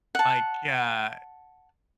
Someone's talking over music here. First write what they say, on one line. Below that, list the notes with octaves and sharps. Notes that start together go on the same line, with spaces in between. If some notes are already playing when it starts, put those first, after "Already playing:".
like, uh,
F#5 A5